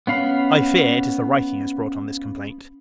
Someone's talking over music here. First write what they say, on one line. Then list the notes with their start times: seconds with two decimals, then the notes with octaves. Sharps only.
I fear, it is the writing has brought on this complaint.
0.07 B3 C#4 F5 B5